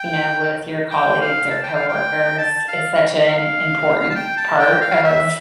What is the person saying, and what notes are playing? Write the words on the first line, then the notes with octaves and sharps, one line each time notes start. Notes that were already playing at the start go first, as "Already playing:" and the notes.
you know, with your colleagues or coworkers is such an important part of,
Already playing: G5
G5
F5
A5
G5
F5
G5
A5
F5
F5
A5
G5
A5
G5
F5
E5